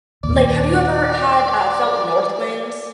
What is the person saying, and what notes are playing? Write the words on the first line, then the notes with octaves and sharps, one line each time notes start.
Like, have you ever had uh, felt north winds?
D#2 A#2 D5